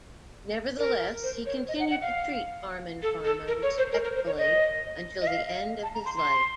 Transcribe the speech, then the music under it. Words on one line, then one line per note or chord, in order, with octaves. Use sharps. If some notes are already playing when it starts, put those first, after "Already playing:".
Nevertheless, he continued to treat Farman-Farma respectfully until the end of his life.
A#4
C5
C#5
D#5
F#5
F#5
F5
A4
A4
A#4
C#5
C5
A#4
A#4
C5
C#5
D#5
D#5
F5
A5
A#5
C6
C6